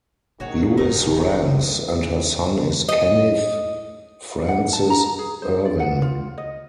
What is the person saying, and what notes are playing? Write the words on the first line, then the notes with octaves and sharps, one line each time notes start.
Louis Rams, and her son is Kenneth Francis Irwin.
B2 D#3 F#3 A#3 F#4 G#4 C#5 F#5
F#1 B2 D#4 A4 A#4
D#5
F#5
A5
A#5
G#4
C5
D5
F#5
F4
D#5